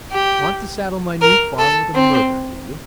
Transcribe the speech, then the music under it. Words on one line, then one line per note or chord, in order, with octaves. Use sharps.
Want to saddle my new farm with a murder, do you?
G4
A#4
A4
C4